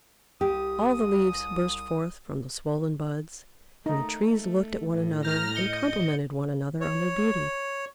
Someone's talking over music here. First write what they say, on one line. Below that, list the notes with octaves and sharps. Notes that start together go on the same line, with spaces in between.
All the leaves burst forth from the swollen buds, and the Trees looked at one another and complimented one another on their beauty.
C2 G4 D#6
A3 D#4
A2
A#5 F6 G6 A#6
D#5 C#7 G7
C#5